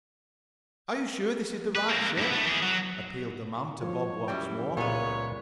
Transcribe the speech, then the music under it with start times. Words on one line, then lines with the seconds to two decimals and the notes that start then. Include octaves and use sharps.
"Are you sure this is the right ship?" appealed the man to Bob once more.
1.75 B4
1.89 A#3 C4
2.18 G2 E4
2.30 A3 B3
2.45 E3 G#4
2.62 F#3
3.81 F3 C#5
4.28 F#2 E3 G3 E4 G5
4.77 C#2 A#2 G#3 B3 C#5 E5